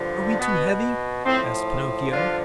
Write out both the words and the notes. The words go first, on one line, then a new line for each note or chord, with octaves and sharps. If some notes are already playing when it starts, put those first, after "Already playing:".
"Are we too heavy?" asked Pinocchio.
Already playing: G2 D3 F3
B2 B3
A2 F3 C4
G2 D3 F3 D4 F4